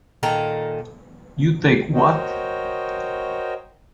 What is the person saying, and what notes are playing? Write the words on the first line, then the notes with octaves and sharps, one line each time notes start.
You take what?
A#2 D#3 A4 A#5
F#4 A#4 C5 C#5 D#5 G5